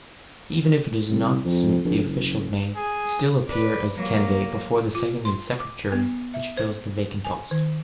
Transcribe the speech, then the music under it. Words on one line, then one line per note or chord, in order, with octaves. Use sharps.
Even if it is not so the official may still appear as a candidate before the second and separate jury which fills the vacant post....
C2
F2
A#1
F#1
G#4
B4 D5
F#3 A#3
F4
C6
D6
B3
E5
C5
G#5
D#3